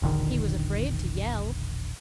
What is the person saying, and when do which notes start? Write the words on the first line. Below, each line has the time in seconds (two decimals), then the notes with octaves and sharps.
He was afraid to yell!
0.02 E1 A#1 D3 D#3